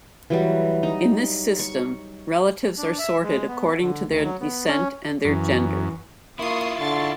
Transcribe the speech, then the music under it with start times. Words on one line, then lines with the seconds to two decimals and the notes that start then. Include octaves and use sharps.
In this system, relatives are sorted according to their descent and their gender.
0.30 E3 F#3 G3
0.83 D#4
1.59 C#6
2.78 D4
2.99 E5
3.23 G#3
3.48 B3
3.82 D3
4.07 D2
4.24 F#3
4.40 B3
4.68 C#4
5.25 F#2 E3
6.39 A#3 E4 F4 C6 C#6 D#6
6.78 D3 C6 C#6 A6